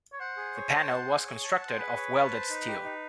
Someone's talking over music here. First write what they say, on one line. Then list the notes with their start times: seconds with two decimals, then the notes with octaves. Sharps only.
The panel was constructed of welded steel.
0.12 C#5
0.20 C5 F#5
0.37 G#4
0.55 C#5
0.72 A5
0.90 F#5
1.07 G#4
1.25 C#5
1.44 A5
1.61 F#5
1.68 C5
1.78 G#4 B4
1.97 C#5
2.14 A5
2.32 C5
2.49 D#4
2.67 G4
2.84 D#4